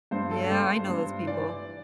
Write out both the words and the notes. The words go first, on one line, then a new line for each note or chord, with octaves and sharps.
Yeah, I know those people.
G2 C5
A4
G2 C5
G2
E3 D5